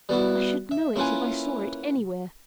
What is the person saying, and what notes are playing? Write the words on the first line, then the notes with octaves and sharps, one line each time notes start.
I should know it if I saw it anywhere.
G3 B3 E4 F#4
E5
A#3 C#4 E4 F4 B4 G#5